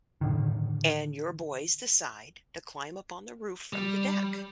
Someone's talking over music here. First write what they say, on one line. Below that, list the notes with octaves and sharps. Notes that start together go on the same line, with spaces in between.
And your boys decide to climb up on the roof from the deck,
A2 D3 D#3
G3